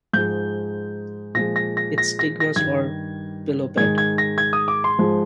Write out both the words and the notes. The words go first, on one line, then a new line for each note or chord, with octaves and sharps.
Its stigmas are bilobed.
G#2 F3 G#3 G6
A#2 F3 G#3 A#6
A#6
A#6
A#6
A#6
A#6
G2 D#3 G3 G#6
G#2 D#3 G#3 G#6
G#6
A#6
G#6
D#6
D6
C6
G#2 F3 G#3